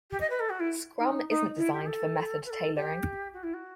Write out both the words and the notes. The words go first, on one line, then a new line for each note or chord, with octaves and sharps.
Scrum isn't designed for method tailoring.
G4
D#5
B4
A4
F#4
E4
D#4
D#4
E4
G4
A4
B4
A4
G4
F#4
E4
F#4